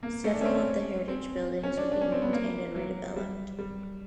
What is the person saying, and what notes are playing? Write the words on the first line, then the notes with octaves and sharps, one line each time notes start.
Several of the heritage buildings would be maintained and redeveloped.
A#3
A3
D4
C#4
C4
C#4
C4
C#4
D4
D4
C#4
C4
B3
A#3
F#3
G3
G3